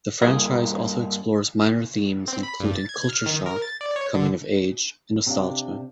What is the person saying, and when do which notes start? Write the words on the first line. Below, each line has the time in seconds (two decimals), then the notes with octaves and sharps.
The franchise also explores minor themes including culture shock, coming of age, and nostalgia.
0.22 G2 A#3 G#4
2.28 C4
2.43 B5
2.60 G2
2.74 A6
2.89 G#6
3.09 F6
3.26 D#3
3.46 A#4
3.62 A6
3.81 D5
3.96 C#5
4.15 D3
5.26 C3 D4 F5